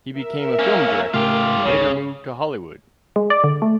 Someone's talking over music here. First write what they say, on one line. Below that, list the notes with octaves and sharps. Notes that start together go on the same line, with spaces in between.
He became a film director and later moved to Hollywood.
A#4 E5
A#3 C#4
A2 C#3 A3 F4 G4
G#1 C#2 G#2 C#3 C#5
G#3
D5
D3
A3